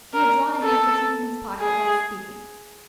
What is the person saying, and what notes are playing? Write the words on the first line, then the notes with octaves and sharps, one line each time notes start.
He had drawn a handkerchief from his pocket while speaking.
A#4
A4
G#4